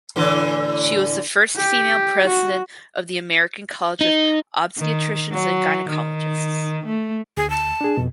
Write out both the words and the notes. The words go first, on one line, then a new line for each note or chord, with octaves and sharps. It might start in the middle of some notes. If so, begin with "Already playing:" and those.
She was the first female president of the American College of Obstetricians and Gynecologists.
A2 D3 E3
G4
F#4
D#4
D#3
F#3
D#3
A3
D2 G#4
A5
D4 G#4
F2 B2